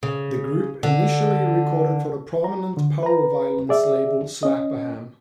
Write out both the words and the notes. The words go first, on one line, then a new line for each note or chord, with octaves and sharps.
The group initially recorded for the prominent powerviolence label Slap-a-Ham.
C#3
D3
A#5
D3
B4 A#5
G#4 D5 E5
C#4 D#5